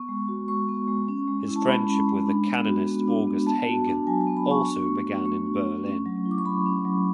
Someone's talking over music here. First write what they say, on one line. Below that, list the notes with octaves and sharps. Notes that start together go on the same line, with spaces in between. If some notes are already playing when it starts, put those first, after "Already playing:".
His friendship with the canonist August Hagen also began in Berlin.
Already playing: B3 C#6
G#3
F#4
G#3 C#6
B3
G#3
C#4
G#3
E4
A5
G#3 B5
C#4
G#3
D4
B3
F#4
B3
D4
B3
B3 A5
F#4
D4
F#3 G#5
A5
B3
B5
F#4 C#6
D4
A3
F#4
A3 C#6
D4
A3
C#4
F#3
E4
D6
C#6
F#3 B5
C#4
F#3